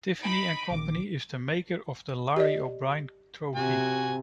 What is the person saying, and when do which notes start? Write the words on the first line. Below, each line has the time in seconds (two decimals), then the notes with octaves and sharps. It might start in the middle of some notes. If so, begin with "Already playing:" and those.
Tiffany and Company is the maker of the Larry O' Brien Trophy.
0.22 D#4 B5 D7
0.71 A#1 D#3 D6
2.36 G4 D5 D#5
3.56 C3 F#4 G#5